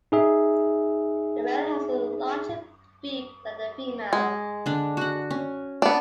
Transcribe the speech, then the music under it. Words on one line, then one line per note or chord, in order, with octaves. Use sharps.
The male has a larger beak than the female.
D#4 G#4 E5
G#3
D3 D4
F#4 F#5
C#4
B3 D4